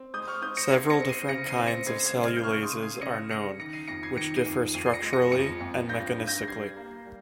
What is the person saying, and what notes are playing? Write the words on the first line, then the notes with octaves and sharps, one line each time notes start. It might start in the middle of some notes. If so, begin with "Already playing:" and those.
Several different kinds of cellulases are known, which differ structurally and mechanistically.
Already playing: C4
G#3 D#6 G6
C#6 F6
C4 D#6 G6
A#6 C#7
C4 G#6 C7
A#6 C#7
C4
C7 D#7
C#3 A#6 C#7
C7 D#7
C4
A#6 C#7
G#3 G#6 C7
G#6 C7
C#3
F6 G#6
G6
C#3 C#6 F6
C6 D#6
C#3
G#6 C7
D#7
C#3 A#6 C#7
C#3 A#6 C#7
D#3 A#6 C#7
C7 D#7
F2 A#6 C#7
G#6 C7
D#3 A#6 C#7
C7 D#7
F2
F2 C7 D#7
C7
A#6 C#7
G#3
A#6 C#7
F2 A#6 C#7
F2
G2 G6 A#6
G2
G6 A#6
G3 G#6 C7
A#3
G3